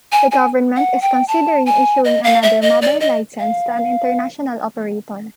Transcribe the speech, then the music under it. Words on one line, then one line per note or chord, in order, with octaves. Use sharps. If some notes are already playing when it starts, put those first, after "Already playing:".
The government is considering issuing another mobile licence to an international operator.
G#5
G#5
F#5
G5
A5
G#5
D#5
F5
E5
D#5
D5
D#5
F5